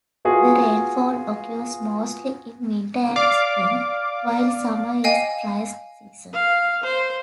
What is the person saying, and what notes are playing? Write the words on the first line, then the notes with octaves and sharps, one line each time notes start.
The rainfall occurs mostly in winter and spring, while summer is driest season.
B3 F4 F#4 G#4
D5 F5 D6
D#5 F5 G5 G#5
F5
C5